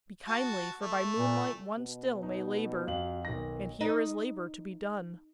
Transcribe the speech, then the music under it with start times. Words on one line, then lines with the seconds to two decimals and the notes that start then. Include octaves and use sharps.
Be kindly, for by moonlight one still may labor, and here is labor to be done.
0.27 F#4 A5
0.82 A3
1.18 A#2
1.78 B2
2.23 D#4
2.87 F2 F#4 F5 F#7
3.25 B1 D#3 A#6
3.81 D#4